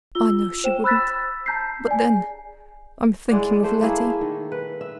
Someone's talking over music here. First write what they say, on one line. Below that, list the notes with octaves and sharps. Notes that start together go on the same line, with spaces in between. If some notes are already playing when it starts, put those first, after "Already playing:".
"I know she wouldn't; but, then, I'm thinking of Letty."
F4 E6 G7
C5 G5 E7
B5 E6 F#6 A6 B6
A5 A#5 G6 B6 C7
D5 G#5
G#4
G#3 E4 D5 F#5
A3 C5 E5 F#5
A3 A#3 E4 G#4
D#3
B4
E5